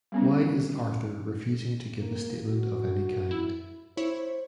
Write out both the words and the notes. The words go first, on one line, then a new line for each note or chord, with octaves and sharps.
Why is Arthur refusing to give a statement of any kind?
G3 B3 C#4
A#3
F#4
E4
E4 C5 C#5